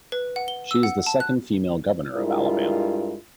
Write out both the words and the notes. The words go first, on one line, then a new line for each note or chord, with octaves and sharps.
She is the second female governor of Alabama.
B4
F#5
G7
E6
F#5
A5
F#6
G2 G#3 E4 F4 A#4